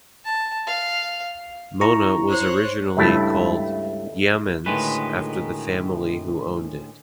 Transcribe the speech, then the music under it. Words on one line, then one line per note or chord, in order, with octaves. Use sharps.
Mona was originally called Yeamans after the family who owned it.
A5
F5
E4 A#5 C#6
C5 C#5 F#6
C#2 G2 A3 E4 A5
D2 A2 D#3 G#3 B4